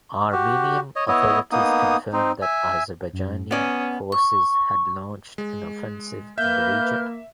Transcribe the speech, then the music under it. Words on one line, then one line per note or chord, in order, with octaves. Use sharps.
Armenian authorities confirmed that Azerbaijani forces had launched an offensive in the region.
F#4 G4
C#5 D#5
B3 E4 C#5 D#5
A#3 B3 D#4 D#6
C4 D#4
E5 G#5
F#2
B3 C#4 D5 D#6
C#6
G#3
A#3 B4 E5 F6 G6